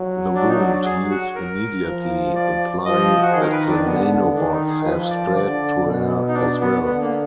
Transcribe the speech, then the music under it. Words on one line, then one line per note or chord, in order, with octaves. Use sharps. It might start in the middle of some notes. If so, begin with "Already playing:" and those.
The wound heals immediately, implying that the nanobots have spread to her as well.
Already playing: F#3
D4
D#4
D4
G#4
F#4
A#4
F3
D5
F3 D#5
F#4
D#3 G#4
A#4
B4
D4
D3 B3
D#3 D4
D#4
G#4
F3 B4
D5
D3 D5
B2
D#4
D4
B3
D3 B3
A#3